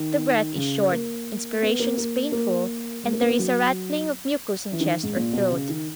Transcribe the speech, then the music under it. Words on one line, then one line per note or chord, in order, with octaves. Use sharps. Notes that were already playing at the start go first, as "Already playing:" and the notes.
The breath is short, inspirations painful, and there is a rattling of mucus in chest or throat.
Already playing: D#3
C#3
A#3
B3
A#3
A#3
A#3
G#3
A#3
B3
A#3
F#3
E3
D#3
G#2
A#2
B2
C#3
D#3